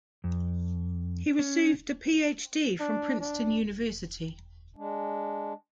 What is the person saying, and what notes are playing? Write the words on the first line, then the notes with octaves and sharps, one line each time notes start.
He received a PhD from Princeton University.
F2
C#4
D4
D4
G#3 D4